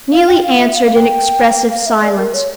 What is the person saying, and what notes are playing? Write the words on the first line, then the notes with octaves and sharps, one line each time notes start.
Neelie answered in expressive silence.
F5
G5
F5
E5
F5
F5
G5
F5
E5
D5
A#4
C#5